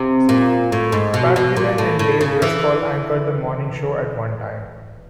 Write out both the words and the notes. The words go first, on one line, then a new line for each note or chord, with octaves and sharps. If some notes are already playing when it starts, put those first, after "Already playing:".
Pat Gillen and Dave Driscoll anchored the morning show at one time.
Already playing: C3
A#2
A2
G#2
B2
B2
A#2
A2
A2
C#3
E3